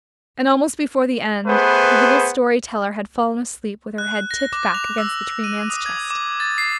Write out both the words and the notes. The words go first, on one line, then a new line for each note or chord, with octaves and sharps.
And almost before the end the little story teller had fallen asleep with her head tipped back against the Tree Man's chest.
A3 B3 G#4 B4 C5
F#6
A#6
D6
F7
E6
D#7
D#6
G#6
D6
A6
C7